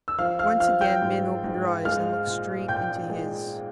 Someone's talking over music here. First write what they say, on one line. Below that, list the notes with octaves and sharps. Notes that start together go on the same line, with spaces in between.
Once again Min opened her eyes and looked straight into his.
E6
F3 F5 F6
F5 F6
F3 F5 F6
G5 G6
G#2
G#2
G#3 F5 F6
A#2
A#2 G5 G6
G#3